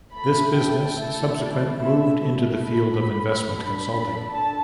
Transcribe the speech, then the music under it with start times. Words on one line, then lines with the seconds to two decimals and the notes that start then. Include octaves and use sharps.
This business subsequent moved into the field of investment consulting.
0.13 A3 E4 A4 B5
0.56 G5
0.98 A4
1.39 D5
1.82 E5
2.64 B5
3.49 D4 A4 B5
4.32 A5